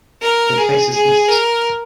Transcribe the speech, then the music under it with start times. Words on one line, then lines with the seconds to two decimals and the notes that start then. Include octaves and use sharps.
It faces east.
0.22 A#4
0.57 G#4
0.93 G#4
1.28 A#4